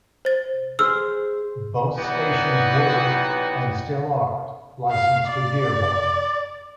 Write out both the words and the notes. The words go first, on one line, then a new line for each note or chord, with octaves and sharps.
Both stations were, and still are, licensed to Dearborn.
C5 A6
G#4 C5 E6 F6
E3 F#3 G3 B3 D#4 F#4
F5
D5